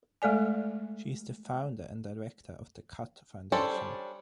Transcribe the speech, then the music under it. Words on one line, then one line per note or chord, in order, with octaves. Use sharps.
She is the founder and director of the Khatt Foundation.
G#3 A3 A4 D5 G#5
G3 C#4 D4 A4 C5